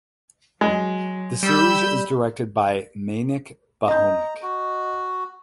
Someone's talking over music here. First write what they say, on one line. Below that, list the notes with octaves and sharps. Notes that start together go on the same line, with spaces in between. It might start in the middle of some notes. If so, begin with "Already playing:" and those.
The series is directed by Mainak Bhaumik.
F#3 G#3
G3 B5 E6 G6
D#5 A#5 G6
F#4